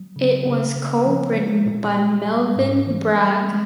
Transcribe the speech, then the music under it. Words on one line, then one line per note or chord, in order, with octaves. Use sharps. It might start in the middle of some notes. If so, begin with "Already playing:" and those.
It was co written by Melvyn Bragg.
Already playing: F#3
C#3
C#3
C#3
F3
G#3
A#2
G#3
G3
G#2
E3
G3
G#3